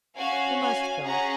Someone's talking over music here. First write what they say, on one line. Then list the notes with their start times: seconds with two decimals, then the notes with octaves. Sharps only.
You must go.'
0.15 C#4 F#4 F5 G#5
0.60 F5 G#5
1.03 C#4 G#4 F#5 A#5